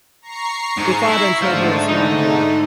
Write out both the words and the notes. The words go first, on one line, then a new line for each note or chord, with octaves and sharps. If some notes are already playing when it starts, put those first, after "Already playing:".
He fought until he was martyred.
A#5 C#6 C7
G#2
E4
G#2 D3 A3 C5 F5
D#4